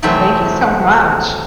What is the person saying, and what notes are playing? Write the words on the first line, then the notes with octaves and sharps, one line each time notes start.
thank you so much.
C3 E3 F#3 G#3 A3 G5